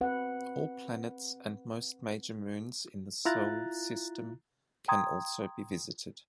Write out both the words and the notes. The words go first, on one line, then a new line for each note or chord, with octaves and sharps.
All planets and most major moons in the Sol system can also be visited.
C4 B4 F#5
E4 F4 A#5 F#6 A6
G5 A#5 C6 D#6 G#6